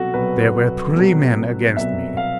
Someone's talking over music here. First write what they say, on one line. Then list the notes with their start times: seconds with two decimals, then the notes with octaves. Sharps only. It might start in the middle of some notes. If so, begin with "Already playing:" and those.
There were three men against me.
Already playing: C2 B2 F#3 F#4 A4
0.14 C2 B2 F#3 B4
0.96 C2 B2 F#3
1.77 C2 B2 F#3 E5
2.17 F5